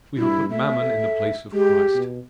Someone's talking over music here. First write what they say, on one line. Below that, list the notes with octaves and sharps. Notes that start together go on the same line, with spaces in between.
We have put mammon in the place of Christ.
G2 E4
A3 E5
A4
G#3 G4
B2